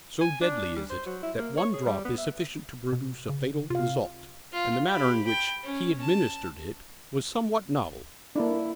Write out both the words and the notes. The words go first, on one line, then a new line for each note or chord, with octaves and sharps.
So deadly is it, that one drop is sufficient to produce a fatal result, and the manner in which he administered it was somewhat novel.
G#5
D4
G3
C5
F#3
E4
A#3
C#5
G#4
G3
B3
E5
B2
C#3
C3 F4 F5
F4
G4 B5
G5 B5
C#4
A5
A#3 D4 E4